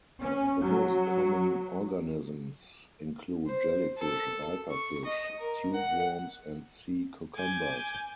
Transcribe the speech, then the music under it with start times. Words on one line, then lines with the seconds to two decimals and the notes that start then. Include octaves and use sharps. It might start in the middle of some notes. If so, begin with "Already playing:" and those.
The most common organisms include jellyfish, viperfish, tube worms and sea cucumbers.
0.21 C#4
0.61 F#3
3.46 C5
3.98 A4
4.70 C#6
5.05 D#5
5.39 A#4
5.73 F#5
7.33 G#5 D6 G6